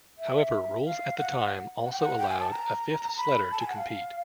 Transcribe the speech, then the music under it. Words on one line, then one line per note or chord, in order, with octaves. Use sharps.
However, rules at the time also allowed a fifth sledder to compete.
E5
F5
F#5
F#5
G5
F#5
G5
G#5
A5
A#5
B5
A5
G#5
F#5
F5